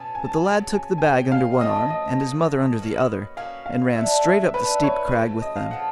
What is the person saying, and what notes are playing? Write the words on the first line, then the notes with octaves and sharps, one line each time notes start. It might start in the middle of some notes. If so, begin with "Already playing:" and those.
But the lad took the bag under one arm, and his mother under the other, and ran straight up the steep crag with them.
Already playing: B2 F#3 B3 G#5 A5
G#5
A5
G#5
C#3 F#3 B3 A5
G#5
G#5
C#3 F#3 B3 G5
F5
A2 F3 A3 C4 D#5
D#5
A2 F3 A3 C4
A#3 C#4 F#4 B4
A#3 C#4 F#4 B4 F5
F5
D3 F#3 B3 D4 E5
E5
D3 F#3 B3 D4 B4
C#5
C#3 F3 A3
D#5
F5
C#3 F3 A3 F#5